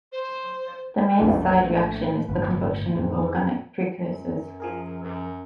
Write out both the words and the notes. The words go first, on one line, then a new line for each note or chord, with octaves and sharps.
The main side reaction is the combustion of organic precursors.
C5
A#1 F2 C#3 G3 A3
A2
G1 D#2 G#2 B4
F2 G#2
F#2
F3 G#4 A#4
F#2